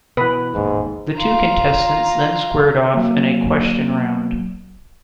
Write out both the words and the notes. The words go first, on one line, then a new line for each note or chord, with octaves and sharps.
The two contestants then squared off in a question round.
B2 E3 B4
E1 A1 D#2 G#2
F4 A#5
F#3 A#3